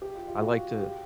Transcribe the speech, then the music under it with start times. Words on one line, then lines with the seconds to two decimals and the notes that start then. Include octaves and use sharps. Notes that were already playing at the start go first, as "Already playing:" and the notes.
I like to
0.02 G4
0.15 F4
0.28 F4
0.41 F#4
0.80 G4